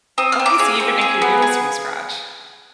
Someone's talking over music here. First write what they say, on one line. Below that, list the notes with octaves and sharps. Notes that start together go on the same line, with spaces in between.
Okay, so you even make your noodles from scratch.
C4 D#6
F6
C4
D6
G#4 F5
C4
G#4
B3
G#4